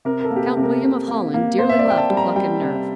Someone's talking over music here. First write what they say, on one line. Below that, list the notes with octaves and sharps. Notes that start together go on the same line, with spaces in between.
Count William of Holland dearly loved pluck and nerve.
C3 A#4
A#4
A4
A#3
G4
A4
C3
A#4
C3
A#3
A#3
A#3 C5
E5
D5
A#3 G5
A5
G3
A#5
G3 G5
C3